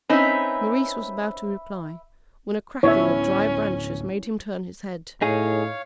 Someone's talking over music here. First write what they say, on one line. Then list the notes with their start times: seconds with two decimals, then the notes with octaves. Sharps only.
Maurice was about to reply, when a crackling of dry branches made him turn his head.
0.10 C4 C#4 D#4 B4 E5
2.83 D1 D2 B3 C#4 E4 C#5 E5
5.22 A2 D#4 G#4 C#5 F5